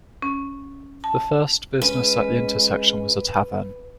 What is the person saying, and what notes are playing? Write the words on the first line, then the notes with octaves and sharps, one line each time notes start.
The first business at the intersection was a tavern.
C#4
A5
G#3 C#4 B4